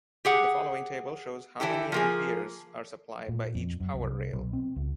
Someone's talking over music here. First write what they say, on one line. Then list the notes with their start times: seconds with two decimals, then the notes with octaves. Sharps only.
The following table shows how many amperes are supplied by each power rail.
0.25 G4 G#4 F#5
1.60 E3 E4 G4 A4
1.92 F3 A#3 G#4
3.28 A#2
3.55 F2
3.80 F#2
3.94 C2
4.33 B1
4.53 C4
4.76 C#2